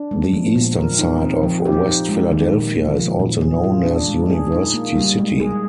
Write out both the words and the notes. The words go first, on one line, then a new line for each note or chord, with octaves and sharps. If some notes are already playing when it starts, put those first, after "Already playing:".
The eastern side of West Philadelphia is also known as University City.
Already playing: D4
G#3
F3
A#2
A#4
D#4
C4
F3
G4
D#4
G#3
D#3
A#2
A#3
F3
A#2
G#4
F4
D4
G#3
G#4
D#4
A#3
G3
G#3
G#4